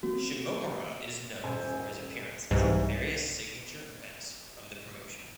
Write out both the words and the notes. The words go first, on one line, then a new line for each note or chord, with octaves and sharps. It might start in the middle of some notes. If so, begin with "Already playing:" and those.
Shimomura is known for his appearances in various signature events of the promotion.
A3 A#3 C4 F#4
D#1 C5 G#5
C2 G#2 E3